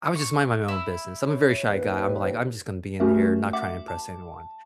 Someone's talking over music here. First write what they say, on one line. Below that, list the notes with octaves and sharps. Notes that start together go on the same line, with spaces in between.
I was just minding my own business, I'm a very shy guy, I'm like, "I'm just gonna be in here, not try and impress anyone,"
C#6
E4
C#5
D#2 B4
A3 C#4 F#4 G4 A#4 E5
E5 F#5 D6
A5